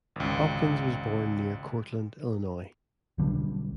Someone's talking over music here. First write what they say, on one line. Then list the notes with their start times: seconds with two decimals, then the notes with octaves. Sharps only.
Hopkins was born near Cortland, Illinois.
0.16 G#1 C#2
3.18 B1 D3 G3